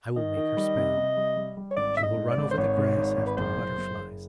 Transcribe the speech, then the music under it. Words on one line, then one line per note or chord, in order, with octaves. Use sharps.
I will make her spell. She will run over the grass after butterflies.
D#3 D#5
D#3
G3
C3
C3
G3
G3
G3
C#5
G#1 D5
G#2 E5
D#5
G#2
D5
G#1
C5
G#1 C#5
G#2
G#1
G#1
B4
F#1 C5
F#1
F#1
F#1